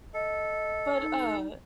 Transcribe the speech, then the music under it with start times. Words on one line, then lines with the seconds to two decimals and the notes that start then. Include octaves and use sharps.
But, uh,
0.14 A4 D#5
1.01 D#4